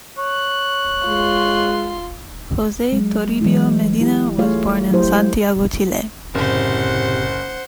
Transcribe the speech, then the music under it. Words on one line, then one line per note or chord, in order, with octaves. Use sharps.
Jose Toribio Medina was born in Santiago, Chile.
C#5 F#6
G#3 F4 C6
F#3 G#3
E3 F#3 G#3 E4
E4 G4
A3 F4 G#4 C#5 F5
F#3 A3 E4 G4 C5
F#1 A2 C3 C5 F#5